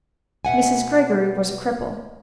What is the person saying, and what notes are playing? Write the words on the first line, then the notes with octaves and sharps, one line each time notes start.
Mrs. Greggory was a cripple.
B2 E5 F#5 G#5